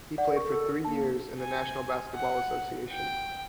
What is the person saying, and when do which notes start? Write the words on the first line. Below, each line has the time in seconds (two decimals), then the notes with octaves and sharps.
He played for three years in the National Basketball Association.
0.18 D5 F#5
0.33 A#4 C#6
0.44 A4
0.85 A#3 A5
1.39 G#5
2.15 F#5
2.92 G5